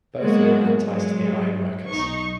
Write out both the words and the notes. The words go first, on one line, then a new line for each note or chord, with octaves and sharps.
Both men had ties to the Ironworkers.
F#3 G#3 A#3 B3 F#4
F#3 G#3
B1 D#4 C#6